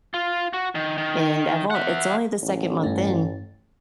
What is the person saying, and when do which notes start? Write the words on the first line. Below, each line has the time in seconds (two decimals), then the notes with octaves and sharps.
and I've on it's only the second month in,
0.14 F4
0.53 F#4
0.75 D#3
0.98 D#3
1.70 E5 F#5
2.43 A1
2.83 G2 A3